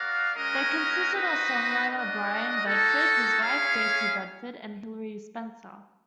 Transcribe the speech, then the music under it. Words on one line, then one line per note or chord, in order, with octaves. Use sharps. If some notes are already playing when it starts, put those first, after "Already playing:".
They consisted of songwriter Brian Bedford, his wife Jacey Bedford, and Hilary Spencer.
Already playing: F#4 A#4 D5 F5
G#3 C#4 F#4 A#4 D#5
C4 D#4 F#4 B4 D#5
D4 F#4 A#4 D#5
A#3 D#4 F#4 A4
C#4 E4 G#4 C#5 F5